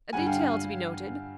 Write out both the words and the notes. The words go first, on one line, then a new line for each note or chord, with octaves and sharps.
A detail to be noted.
G2 D3 G3 F#5 G#5
F5 G5
F5
F5